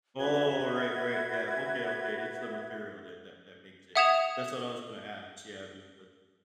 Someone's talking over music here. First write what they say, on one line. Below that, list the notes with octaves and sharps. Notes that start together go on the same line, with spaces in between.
Oh, right, right yeah, okay, okay, it's the material, then, that that makes it that's what I was gonna ask see how big was
F#4 B4 E5 G#6
E5 F#5 D#6 G#6 E7 F7